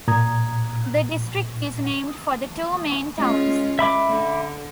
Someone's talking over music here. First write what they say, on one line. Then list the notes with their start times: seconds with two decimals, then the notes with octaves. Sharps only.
The district is named for the two main towns.
0.08 A#2 A#5 D#6 G#6
3.16 G#3 C#4 F4
3.79 E5 B5 D6
4.09 D3